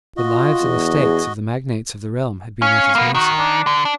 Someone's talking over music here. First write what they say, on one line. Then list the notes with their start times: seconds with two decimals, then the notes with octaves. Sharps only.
The lives and estates of the magnates of the realm had been at his mercy.
0.17 F4 F#4 D#5
0.61 E2
0.95 G#4
2.62 C#4 F5
2.95 A#3 B3
3.15 D#3 F#4
3.39 D4
3.67 D3
3.85 D4